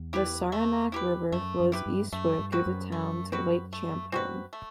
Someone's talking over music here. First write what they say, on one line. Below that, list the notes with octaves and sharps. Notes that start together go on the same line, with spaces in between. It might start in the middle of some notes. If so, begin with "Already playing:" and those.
The Saranac River flows eastward through the town to Lake Champlain.
Already playing: E2
E4 G4 B4
A3
E4 G4 B4
F#2 A3
F#2
E4 G4 B4
G2
F#2 A3
G2
C4 F#4 B4
F#2
A3
C4 F#4 B4
A3
C4 F#4 B4
A3